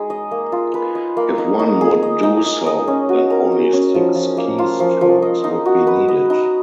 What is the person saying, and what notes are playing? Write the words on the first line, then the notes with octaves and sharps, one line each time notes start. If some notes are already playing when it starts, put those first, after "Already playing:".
If one would do so then only six keystrokes would be needed.
Already playing: G#3 D#4 G#4
D#5
A#3
F4
B4
D#5
A#3
D#4
D#4
G#4
D#5
D#4
D#4
D#5
C#4
F#4
A#4
D#5
C#4
F3
F3
A#3
F4
F3
F3
D#5
D#4
F#4
B4
D#5
D#4